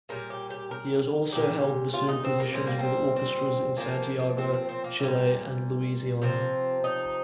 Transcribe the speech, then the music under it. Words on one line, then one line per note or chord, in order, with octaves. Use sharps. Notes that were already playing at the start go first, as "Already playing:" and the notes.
He has also held bassoon positions with orchestras in Santiago, Chile and Louisiana.
A#2 G3 A#4
G4
G4
A#4
A#2 G3 G4
F4
D#4
C4
A#3
A#2 G3 C4
A#3
C4
C4
A#2 F3 A#3
C4
C4
C4
A#3
A#2 G3
C3 F3 C4
D#4